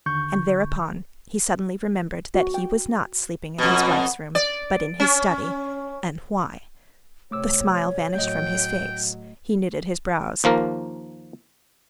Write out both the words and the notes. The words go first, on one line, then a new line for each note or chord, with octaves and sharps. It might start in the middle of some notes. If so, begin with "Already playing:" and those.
And thereupon he suddenly remembered that he was not sleeping in his wife's room, but in his study, and why: the smile vanished from his face, he knitted his brows.
D#2 D3 C#6 G6
F#4
G5
F2 B2
D5
C#4
C3 A3 C#5 D6 E6
A2 F#3 A3 D#5 G5
D#2 F3 A#3 A#4